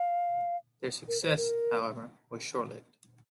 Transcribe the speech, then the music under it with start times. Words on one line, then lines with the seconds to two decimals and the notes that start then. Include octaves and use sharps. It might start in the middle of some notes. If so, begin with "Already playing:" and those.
Their success, however, was short-lived.
Already playing: F5
1.08 A#4
1.23 C5
1.37 A#4